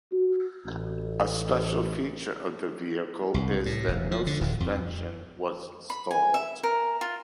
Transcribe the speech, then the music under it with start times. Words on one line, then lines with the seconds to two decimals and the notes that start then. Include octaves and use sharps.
A special feature of the vehicle is that no suspension was installed.
0.12 F#4
0.65 A1
3.34 C2
3.66 A2
3.88 E1
4.11 F3
4.27 D3
4.41 D1
4.60 F2
5.90 B5
6.11 G#5
6.34 E5
6.63 A#4
7.01 F4